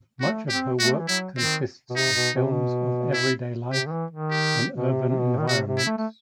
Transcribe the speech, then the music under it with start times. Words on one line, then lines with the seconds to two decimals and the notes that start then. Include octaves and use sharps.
Much of her work consists of films of everyday life in urban environments.
0.21 A3 F#4
0.49 C4 G4
0.79 A3 F#4
0.99 E3
1.08 F#3 E4
1.38 D#3 C4
1.90 B2
1.96 C3 D#4
2.16 B2
2.35 B2
2.44 C3
2.52 B2
3.14 E4
3.72 C3 G4
3.86 D#3
3.92 E3
4.11 D#3
4.31 G4
4.77 B2
4.89 C3
5.09 C3
5.19 B2
5.38 D#3
5.48 C3 F#4
5.67 C3
5.78 E4
5.86 A3
5.98 A3